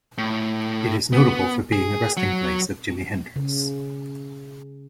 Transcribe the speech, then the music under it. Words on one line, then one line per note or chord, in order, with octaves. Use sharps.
It is notable for being the resting place of Jimi Hendrix.
A2
B3
G#4
F#3
C#3